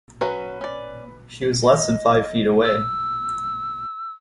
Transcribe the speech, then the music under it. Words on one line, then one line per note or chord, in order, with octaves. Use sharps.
She was less than five feet away.
F#3 C#4 F#4 B4
C#4 D5
D#5
E6